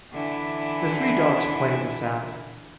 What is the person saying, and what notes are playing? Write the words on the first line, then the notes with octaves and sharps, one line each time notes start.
The three dogs play in the sand.
D3 E3 E4